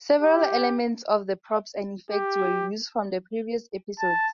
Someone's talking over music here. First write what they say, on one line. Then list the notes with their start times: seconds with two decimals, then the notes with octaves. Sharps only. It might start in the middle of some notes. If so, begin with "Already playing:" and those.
Several elements of the props and effects were re-used from previous episodes.
0.21 G4
2.11 G4
4.00 A5